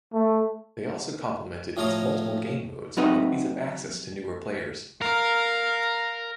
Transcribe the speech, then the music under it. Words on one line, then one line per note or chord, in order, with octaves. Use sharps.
They also complimented its multiple game modes and ease of access to newer players.
A3
A2 F3 F4 C#5 A#5 D#6
F#3 C4 D#4 F#4 B4 E5
A#4 F5